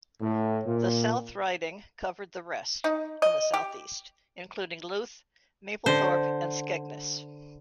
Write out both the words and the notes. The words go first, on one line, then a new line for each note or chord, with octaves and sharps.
The South Riding covered the rest, in the south-east, including Louth, Mablethorpe and Skegness.
A2
A#2
D#4
D#5
G4
D3 C5